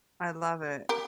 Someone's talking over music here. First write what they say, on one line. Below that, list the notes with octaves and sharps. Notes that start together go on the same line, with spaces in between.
I love it.
G4 A#4